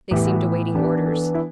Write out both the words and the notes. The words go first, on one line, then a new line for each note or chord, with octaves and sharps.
They seemed awaiting orders.
A2 E3 B3 E4 G4
F#4
E3 B3 D4 G4
A4
E4